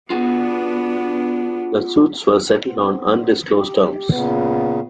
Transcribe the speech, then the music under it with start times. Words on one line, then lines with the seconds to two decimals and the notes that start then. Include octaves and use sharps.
The suits were settled on undisclosed terms.
0.10 B3 D4 F4 F#4 G#4
2.66 A2 B3 C4
3.58 G4
4.12 A#2 C#3 B3